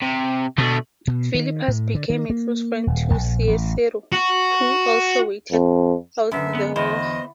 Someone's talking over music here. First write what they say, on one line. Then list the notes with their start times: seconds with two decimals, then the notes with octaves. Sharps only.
Philippus became a close friend of Cicero, who also waited out the war.
0.02 C3
0.58 B2 A3 D4
1.07 B2
1.35 D#3
1.68 A2
1.95 D3
2.10 D#3
2.30 A#3
2.87 D#1
3.13 A#1
3.47 A1
4.12 F#4
5.52 F2
6.32 F#2 D3 B4 E5 B5
6.55 B3
6.76 E2 B3 C5 D#5